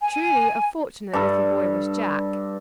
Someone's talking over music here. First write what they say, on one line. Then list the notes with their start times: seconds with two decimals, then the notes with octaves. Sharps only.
Truly a fortunate little boy was Jack!
0.01 G#5
1.13 G2 A4